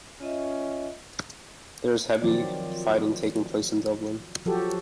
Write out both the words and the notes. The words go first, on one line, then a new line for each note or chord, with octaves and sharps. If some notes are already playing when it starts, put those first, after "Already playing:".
There is heavy fighting taking place in Dublin.
C#4 F4 D#5 E5
D#3 F3 F#3 C4 F4 D5
F3 F#3 F#4 G4 A4